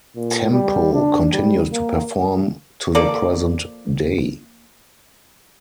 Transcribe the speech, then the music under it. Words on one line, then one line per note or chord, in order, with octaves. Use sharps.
Tempo continues to perform to the present day.
A#2
G3
D4
G3
A#3
F3 A#3 A4 D5